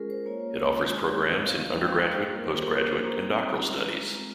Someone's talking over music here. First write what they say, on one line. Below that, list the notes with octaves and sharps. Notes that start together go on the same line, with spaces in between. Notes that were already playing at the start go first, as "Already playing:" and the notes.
It offers programmes in undergraduate, post-graduate, and doctoral studies.
Already playing: G#3 C#4 F4 G#4 A#4
C5
A#3 F4 C#5
G#3 C#4 F4
G3 C4 D#4 D#5
F5
G#3 D#4 G5
F5
D#5
G3 A#3 F4 C5
A#4
G4
A#4
A#3 F4 G#4
A#4
C5
A#5
G3 C4 D#4 A#5
G#3 C#4 F4
G#3 C4 F4